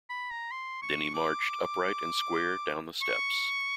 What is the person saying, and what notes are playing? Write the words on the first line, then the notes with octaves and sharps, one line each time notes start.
Then he marched, upright and square, down the steps.
B5
A#5
C6
C#6
D6
C#6